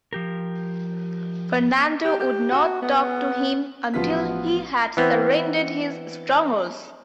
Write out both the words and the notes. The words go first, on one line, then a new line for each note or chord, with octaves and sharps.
Fernando would not talk to him until he had surrendered his strongholds.
F3 G4 A#4
G4
G4
F#4
B3
A1 F3 B3 F4 F#4 B6
E3 B3 C4